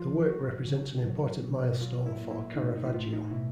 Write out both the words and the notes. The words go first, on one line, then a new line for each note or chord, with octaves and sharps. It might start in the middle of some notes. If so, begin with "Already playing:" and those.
The work represents an important milestone for Caravaggio.
Already playing: F3 F4
F#3 F#4
C#3
F#3
B2
F#3 F4
E4
A#2
E4
A2 D#4
D#4
E4
A2 F4
D#4
B2 E4